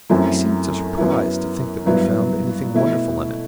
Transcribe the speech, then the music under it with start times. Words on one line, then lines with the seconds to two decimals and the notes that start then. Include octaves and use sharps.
He seemed surprised to think that we found anything wonderful in it.
0.10 F#2 F#3 A3 C4 E4
0.98 F#2 F#3 B3 E4
1.86 G2 F#3 B3 E4
2.74 B2 A3 E4